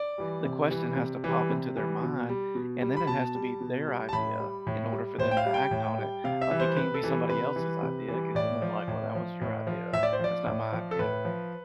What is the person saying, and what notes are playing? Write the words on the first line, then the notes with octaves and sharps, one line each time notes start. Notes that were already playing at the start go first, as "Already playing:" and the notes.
the question has to pop into their mind, and then it has to be their idea in order for them to act on it. Like, it can't be somebody else's idea 'cause then they're like, "Well, that was your idea, that's not my idea,"
Already playing: D5
E3 G3
C3
E3 G3
C3
E3 G3
C3
E3 G3
B2
G3
B2
G3
B5
B2 A5
G3
B2
G3
A5
A2 B5
G3
A2
G3
A2 C5
G5
F5
G3
G5
A2
G3
C3 F5
E5
E3 G3
C5
C3 B4
A4
E3 G3
C3 B4
E3 G3
C3
E3 G3
A2 D5
F3
A2
F3
A2
F3
A2 E5
D5
C5
F3 D5
A2
F3
A4
A2 B4
F3